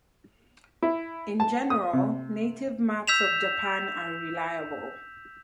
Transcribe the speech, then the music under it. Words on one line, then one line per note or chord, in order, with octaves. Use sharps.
In general, native maps of Japan are reliable.
E4
A5
D#6
C3
E6 G6 B6 E7 F7